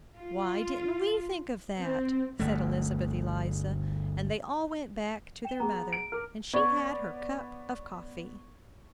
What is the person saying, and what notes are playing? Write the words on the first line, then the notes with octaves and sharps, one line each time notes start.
"Why didn't we think of that?" said Elizabeth Eliza; and they all went back to their mother, and she had her cup of coffee.
F4
C4
G1 D2 A3
G5 E7 G7
B3 G#4 A#5
D7
A#4 D6 F6
B3 C#5 D5